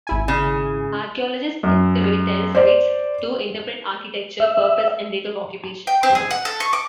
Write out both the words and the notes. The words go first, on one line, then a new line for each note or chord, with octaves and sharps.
Archaeologists excavate tell sites to interpret architecture, purpose, and date of occupation.
G#1 E4 G#5
C#3
F#2
C5 D5
E5
G5
C4
G#4
F#5
A4
C#6
D6